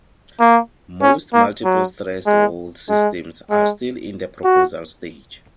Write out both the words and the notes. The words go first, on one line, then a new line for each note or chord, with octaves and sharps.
Most multiple-threshold systems are still in the proposal stage.
A#3
C#4
A#3
F#3
G#3
G#3
G#3
F#4